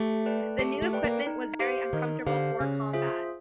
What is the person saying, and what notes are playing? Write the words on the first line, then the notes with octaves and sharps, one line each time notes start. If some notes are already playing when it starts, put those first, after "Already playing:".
This new equipment was very uncomfortable for combat.
Already playing: A3 G4
B4 D5 G5
A3 G4
A3
B4 D5 G5
A#3
D#4
G4 C5 F5
D#3 D#4
D3 G4 C5 F5
C#3 C#4
F4 G#4 C5 E5